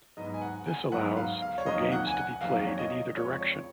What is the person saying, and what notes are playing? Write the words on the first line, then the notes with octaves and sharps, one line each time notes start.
This allows for games to be played in either direction.
G#2 F#3 B3 D#5
G#5
F#5
G#5
G#2 F#3 B3 F#5
F5
F5
C#5
F2 D#3 F#3 A#3 D#5
F#5
G#5
F#5
F2 D#3 F#3 A#3 F5
C#5
D#5
F2 F3 G#3 C#5
C#5